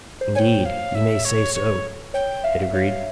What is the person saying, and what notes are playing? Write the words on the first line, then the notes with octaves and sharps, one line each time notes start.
"Indeed, ye may say so," Pitt agreed.
C5
C#5 G5 G#5
F5
E5
C#5
C#5
C#5 G5
E5 F5
E5
C#5 F5